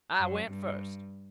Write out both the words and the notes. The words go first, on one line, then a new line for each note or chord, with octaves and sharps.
I went first.
F#2
G2